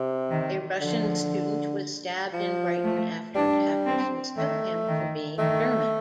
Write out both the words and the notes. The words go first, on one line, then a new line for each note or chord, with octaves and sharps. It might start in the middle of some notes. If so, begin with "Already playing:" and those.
A Russian student was stabbed in Brighton after attackers mistook him for being German.
Already playing: C3
D#3
D3 F3
F3
A3
G3 D4
C4
D#3 A3
D#3
D#3 A3